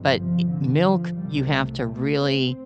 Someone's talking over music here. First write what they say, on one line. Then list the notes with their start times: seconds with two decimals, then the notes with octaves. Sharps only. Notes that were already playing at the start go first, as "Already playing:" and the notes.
But, eh milk, you have to really
Already playing: G1 F2 C3
0.16 F3
0.50 D3
0.83 F3
1.17 C2 C3 G3
1.50 A3
1.83 A3
2.16 C4